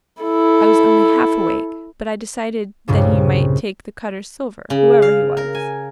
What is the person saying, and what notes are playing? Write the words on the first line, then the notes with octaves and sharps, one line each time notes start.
I was only half awake, but I decided that he might take the Cutters' silver, whoever he was.
E4 A4
C2 G2 A#2 C#3
C#3
F5
A#4
G#5